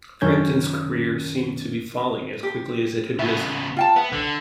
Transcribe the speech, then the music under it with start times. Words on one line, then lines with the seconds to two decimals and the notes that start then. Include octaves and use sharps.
Frampton's career seemed to be falling as quickly as it had risen.
0.21 F#2 D#3 C#4 G6 G#6
2.43 G4
3.19 C#3 B3 E5
3.77 F4 G5 A5
3.96 B3 E5
4.12 D3